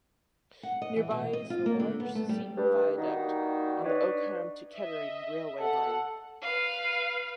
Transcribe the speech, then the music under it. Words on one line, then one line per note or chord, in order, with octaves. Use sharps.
Nearby is the large Seaton Viaduct, on the Oakham to Kettering railway line.
F#5
D#5
E3
B2
D#5
F4
A#3
D3
B3
A3
G3
G2
D#3 G3 A#3 D#4 F#4
D4 D#4 B4 C#5 D5
D#5 E5
A4 F#5
B4 F5